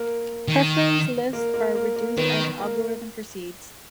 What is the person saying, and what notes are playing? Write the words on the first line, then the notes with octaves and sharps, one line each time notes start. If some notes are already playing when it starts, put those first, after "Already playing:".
Preference lists are reduced as algorithm proceeds.
Already playing: A#3
D#3
A#3
A#3
A#3
A#3
D#3 B3
A#3